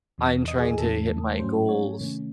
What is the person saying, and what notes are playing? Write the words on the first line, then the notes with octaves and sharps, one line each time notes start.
I'm trying to hit my goals,
E2 C3 E3 C4
D#5
G#4
G#4
E2 C#3 E3 A3 A4
G#2 F#3 A3 C#4 C5
C#5
C3 D#3 A3 C#4